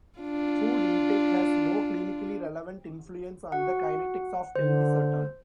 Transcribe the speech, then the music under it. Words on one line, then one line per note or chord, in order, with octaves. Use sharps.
Food intake has no clinically relevant influence on the kinetics of telmisartan.
D4 F4
F#4 F#5
D3 C5